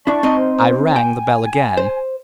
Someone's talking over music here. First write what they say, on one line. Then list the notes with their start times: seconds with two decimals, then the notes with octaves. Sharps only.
I rang the bell again.
0.07 D4 E4 D5 A5 C#6
0.23 C4 D#4 D#5
0.35 C5
0.96 G5 G#5
1.77 C5